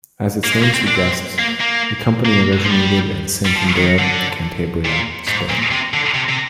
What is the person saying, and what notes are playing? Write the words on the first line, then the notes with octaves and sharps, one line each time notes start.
As its name suggests, the company originated in Santander, Cantabria, Spain.
A#3
G#3
A#3
C4
D4
C4
A#3
A#3
A#3
F3
G3
G3
F3
D#3
D3
A#2
G#2
A#2
C3
D3
C3
C3